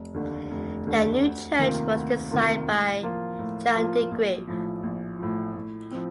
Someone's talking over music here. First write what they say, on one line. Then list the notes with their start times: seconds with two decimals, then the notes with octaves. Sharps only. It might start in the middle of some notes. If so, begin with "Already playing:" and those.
The new church was designed by Jan de Greef.
Already playing: F1
0.14 D#2 D3 A3 D4
0.51 F1
0.86 D#2 D3 A3 D4
1.22 D2
1.59 C3 D#3 A#3 F4
1.95 D2
2.31 C3 D#3 A#3 F4
2.67 A2
3.03 F3 A#3 F4
3.39 A2
3.75 F3 A#3 F4
4.11 A#1
4.47 A2 F3
4.83 A#1
5.19 A2 F3
5.55 A2
5.91 F3 C4